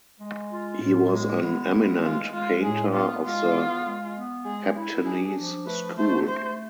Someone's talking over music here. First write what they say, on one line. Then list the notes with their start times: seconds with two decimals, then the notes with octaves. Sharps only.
He was an eminent painter of the Heptanese School.
0.21 G#3
0.51 F4
0.81 A2
1.12 G#3
1.42 B3
1.72 G#3
2.02 G#3 F4
2.33 G#3 F4
2.63 A2 G#4
2.93 B3 F4
3.24 G#3 F4
3.54 B3
3.85 G#3
4.16 B3
4.45 G#3 G#4
4.75 E4
5.06 D4 G#4
5.37 F3
5.67 A3 B4
5.97 A3 C5
6.27 A3 C5